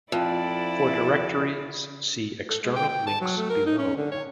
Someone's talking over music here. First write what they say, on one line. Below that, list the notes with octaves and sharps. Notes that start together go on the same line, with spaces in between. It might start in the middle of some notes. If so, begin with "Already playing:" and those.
For directories, see external links below.
F2 E4 A4 D5
A4
G#3
G5
G5
A5
F#3
A3
A#4
D#4
C#4
D3
C#5